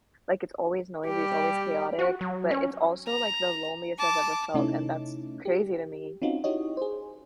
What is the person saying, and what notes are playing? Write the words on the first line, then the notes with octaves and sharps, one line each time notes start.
Like, it's always noisy, it's always chaotic, but it's also, like, the loneliest I've ever felt, and that's crazy to me
G3 G4
F#4
F#3
C#4
A#5
A5 D6
C3 A3 C#4 D#4 E4
G4
C4 C#4 D#4 F4 F#4
D#4 E4 F#4 G4 C#5 D#5
G#4 C5